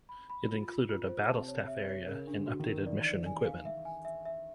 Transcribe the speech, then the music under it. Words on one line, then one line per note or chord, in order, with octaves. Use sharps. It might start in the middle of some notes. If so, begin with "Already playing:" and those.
It included a battlestaff area and updated mission equipment.
B5
B5
F4
F4
F4
C5
C3 A5
C#5
E5
C#5
C#3 A#4
D4
D3
F#4
D#3
A#4
E3 D5
D5
G#5
F5
E5
G#5
E5
E5